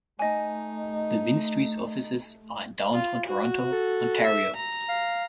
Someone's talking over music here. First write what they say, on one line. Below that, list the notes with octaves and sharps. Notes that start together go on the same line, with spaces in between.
The Ministry's offices are in downtown Toronto, Ontario.
A3 D#4 D#5 G#5
F4
F#4
A4
E5
A#5
F5